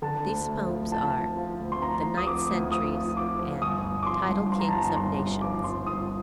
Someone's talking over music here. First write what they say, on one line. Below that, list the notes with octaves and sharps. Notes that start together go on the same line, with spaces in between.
These poems are The Night Sentries and Tidal King of Nations.
D3 A5
D2
D2
F3
F3 A5
F3
F3
D2
C6
F3 A#5
D2
D#6
F3 D6
D2
F3 D#6
F3
F3 D6
F3
G1 D#6
G1
D6
F3 C6
G2
F3 C6
A#5
A5
G1 A#5
G1 C6
G1
F3 D6
G1 C6
G1 D#6